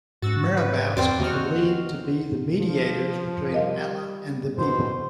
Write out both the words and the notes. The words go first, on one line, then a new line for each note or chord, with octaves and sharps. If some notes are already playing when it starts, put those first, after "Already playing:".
Marabouts are believed to be the mediators between Allah and the people.
G#2 C#4 F#4 E6 A6
B4
E2 C4 C5 D5
E2 D#3 A#3 D#4 F#4 F6
F3
G3 A#4 D#5 F5
B2 C5